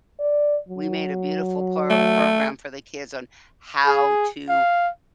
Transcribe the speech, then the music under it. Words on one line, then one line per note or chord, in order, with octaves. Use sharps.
we made a beautiful pro program for the kids on how to,
D5
F#3
A3
G#4
F5